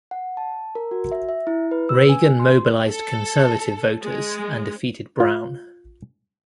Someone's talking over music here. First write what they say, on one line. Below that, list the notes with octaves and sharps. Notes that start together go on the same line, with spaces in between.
Reagan mobilized conservative voters and defeated Brown.
F#5
A5
A#4
F#4
E5
E5
E4
B4
E6
G#5
C6
A4
G#3
F4